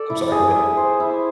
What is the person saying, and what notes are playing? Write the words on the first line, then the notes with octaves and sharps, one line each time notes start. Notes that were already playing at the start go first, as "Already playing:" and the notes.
I'm sorry, go ahead.
Already playing: A4 D5
E4
G#4
E5
C5
E4